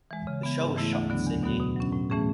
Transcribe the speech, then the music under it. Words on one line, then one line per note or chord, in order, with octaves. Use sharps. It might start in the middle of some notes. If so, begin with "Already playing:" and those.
The show was shot in Sydney.
E3 G#3
C#3
E3 B3
G#2
E3 A3 E4
D2
D3 F#3 B3 D4
E2
B2 F#3 B3 F#4
B2
F#3 C#4
A2
E3 A3 C#4 G#4